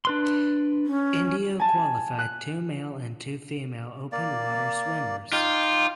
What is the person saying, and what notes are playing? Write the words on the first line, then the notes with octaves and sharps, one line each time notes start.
India qualified two male and two female open water swimmers.
D4 B4 C6
C#4
G#5 A5
F#6
A#3 D5
D#4 F4 G5 D6